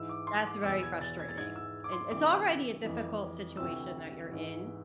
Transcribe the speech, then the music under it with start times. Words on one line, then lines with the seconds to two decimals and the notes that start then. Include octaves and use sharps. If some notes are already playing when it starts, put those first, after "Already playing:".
that's very frustrating, and it's already a difficult situation that you're in,
Already playing: G#2 E3 E6
0.09 D6
0.27 C6
0.46 D6
0.64 E2 B2 E6
0.83 G#6
1.01 A6
1.20 G#6
1.29 A6
1.37 G#2 E3 G#6
1.56 E6
1.84 D6
1.92 C6
2.11 D2 C3 E3 D6
2.85 F2 E3
3.57 D2 C3 E3 E6
4.31 G#2 E3